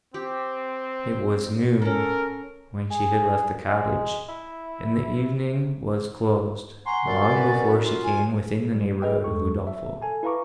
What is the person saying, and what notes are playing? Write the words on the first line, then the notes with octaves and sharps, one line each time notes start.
It was noon, when she had left the cottage, and the evening was closed, long before she came within the neighbourhood of Udolpho.
C4 G4
C#4 A4 A#4
G#4
G#3
E4
F#5 G#5 A#5 C6 C#6
F#2 D5
B4
F4
G#5
G3
G#4 B4 D#5 G5
E2 G#3 A4 C#6
E5
A4 G#5 A5
E4 B4 F5 A#5 C#6 D6